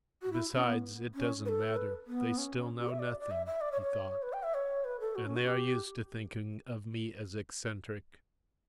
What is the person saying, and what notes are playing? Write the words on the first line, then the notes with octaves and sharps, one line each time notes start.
"Besides, it doesn't matter, they still know nothing," he thought, "and they are used to thinking of me as eccentric."
F#4
E4
C#4
B3
C#4
B4
A4
B4
B3
C#4
F#4
E5
D5
D5
E5
E5
D5
C#5
C#5
B4
G5
E5
C#5
B4
A4
F#4
C#4
F#4
G4